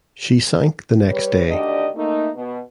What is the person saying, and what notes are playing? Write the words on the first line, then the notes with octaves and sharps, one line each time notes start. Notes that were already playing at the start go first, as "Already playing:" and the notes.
She sank the next day.
G3 B4 C#5
D2 D#3 D4 G4 D5 D#5
A3 A#3 D#4
B2